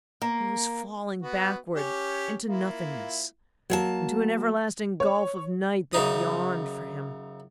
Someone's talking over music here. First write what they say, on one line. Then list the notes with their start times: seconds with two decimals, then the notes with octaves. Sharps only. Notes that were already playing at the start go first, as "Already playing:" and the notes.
He was falling backward into nothingness, into an everlasting gulf of night that yawned for him....
0.22 A#3
1.22 B3 F#4
1.75 C#4 G4 C#5
2.47 A#3 E4 F4
3.70 F#3 A#3 A5
5.00 C#5
5.93 F#2 C#3 D#4 D#6